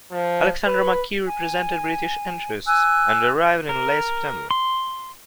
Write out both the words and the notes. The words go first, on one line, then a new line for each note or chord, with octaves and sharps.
Alexander McKee represented British interests and arrived in late September.
F3
B4
G#5
G#5 E6 F#6
A#4
C6